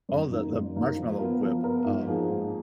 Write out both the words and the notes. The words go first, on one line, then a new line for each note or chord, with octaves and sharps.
Oh, the the marshmallow whip, um,
F#2
D#3 A#3 D#4
F#2
D#3 A#3 D#4
F3
B3 F4 A#4
F3
B3 F4 A#4
G#2
F3 A#3 D#4 G#4
G#2